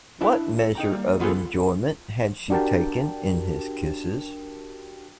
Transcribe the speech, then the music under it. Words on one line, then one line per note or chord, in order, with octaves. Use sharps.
What measure of enjoyment had she taken in his kisses?
D4 E4 E5 A5
A4
D#4 G5 A#5
G3 A#3
E3 B3 F4 F#4 G#4 A4
D4 F#4 G4 A#4 G5 A5